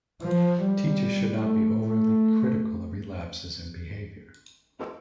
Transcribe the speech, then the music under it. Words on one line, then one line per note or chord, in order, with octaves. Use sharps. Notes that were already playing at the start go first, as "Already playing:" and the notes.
Teachers should not be overly critical of relapses in behaviour.
F3
G3
A3
A3